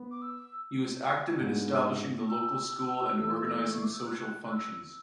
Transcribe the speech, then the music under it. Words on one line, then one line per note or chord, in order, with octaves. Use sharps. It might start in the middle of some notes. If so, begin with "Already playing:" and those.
He was active in establishing the local school and organising social functions.
Already playing: B3
D6
E6
G#2 G#3 B3 D4
E6
E3 A3 E4 B4
C#6
D6
E6
F#6
F#6
E6